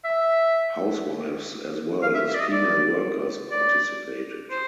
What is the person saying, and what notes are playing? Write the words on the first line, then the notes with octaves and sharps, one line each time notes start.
Housewives as well as female workers participated.
E5
F5
E5
E5
D5
D#5
D5
D5
C5